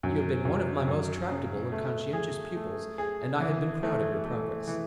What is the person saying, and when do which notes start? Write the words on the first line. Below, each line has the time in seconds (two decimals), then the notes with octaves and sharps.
You have been one of my most tractable and conscientious pupils and I have been proud of your progress.
0.03 F#2
0.45 F#2
0.88 F#2
1.30 C#3
1.72 A3
2.13 G#4
2.56 A3
2.98 G#4
3.40 E3
3.83 A3
4.25 A3
4.67 E3